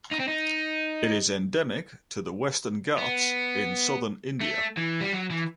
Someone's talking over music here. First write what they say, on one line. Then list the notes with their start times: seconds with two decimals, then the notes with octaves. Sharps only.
It is endemic to the Western Ghats in southern India.
0.11 D#4
0.19 C4
0.28 D#4
2.98 B3
4.41 A3
4.77 E3
5.01 G3
5.13 F#3
5.30 E3